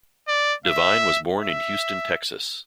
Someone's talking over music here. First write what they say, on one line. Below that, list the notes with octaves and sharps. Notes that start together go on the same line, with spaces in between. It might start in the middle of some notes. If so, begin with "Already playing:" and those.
Devine was born in Houston, Texas.
D5
E5
E5